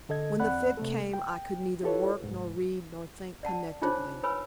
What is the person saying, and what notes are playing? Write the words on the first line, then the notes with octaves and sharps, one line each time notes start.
When the fit came I could neither work nor read nor think connectedly.
D3 A4 D#5 G#6
E2 C4 D5 F#5 B5 F#6
C3 A3 A4
G5
E4 F4 G4 A4 B4 C#5
C2 G#2
D5 F#5 A5
D4 D#4 F4 G#4 C5 C#5
B4 C#5 G#5 B5 E6